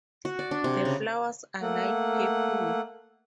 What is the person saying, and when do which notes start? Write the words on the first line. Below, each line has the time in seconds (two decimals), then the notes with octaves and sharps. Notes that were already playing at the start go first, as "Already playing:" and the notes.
The flowers are light purple.
0.25 F#4
0.39 D5
0.51 D4
0.64 C3
0.85 C#3
1.61 A3 A#3 F#5